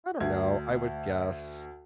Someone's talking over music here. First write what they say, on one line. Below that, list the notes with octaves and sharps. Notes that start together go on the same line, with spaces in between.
I don't know, I would guess
D2 G#6